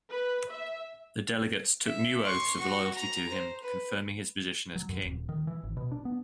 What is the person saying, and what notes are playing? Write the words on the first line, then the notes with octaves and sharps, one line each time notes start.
The delegates took new oaths of loyalty to him, confirming his position as king.
B4
E5
E5
C6 C#6
F#4 C#6
A#5
C5
B4
F#3
F#2
D#1
D#3
E3
G#1
B2
D4
B3